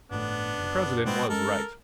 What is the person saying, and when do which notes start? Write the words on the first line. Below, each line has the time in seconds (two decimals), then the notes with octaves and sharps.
The president was right.
0.11 G1 A2 B3 D4
0.58 F#1
1.05 A#2 G#3 B3 C4
1.29 G#3 C#4 A4 A#4